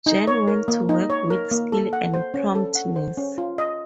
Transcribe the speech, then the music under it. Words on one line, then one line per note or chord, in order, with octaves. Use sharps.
Jen went to work with skill and promptness.
D#4
C#5
A#4
A#3
D#4
C#5
A#4
A#3
A4
F#5
C5
C#4
A4
F#5
C5
C#4
F4
D#5